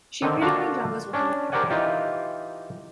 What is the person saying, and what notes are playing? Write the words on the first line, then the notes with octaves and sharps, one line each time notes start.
She appeared in many dramas with her mother.
D3 D#3 C4
D3 A#3 D4 F4 F#4 A5
C#4 D4
G4 A#4 C5 D5 F#5 G#5
E3 D#4 F4 G4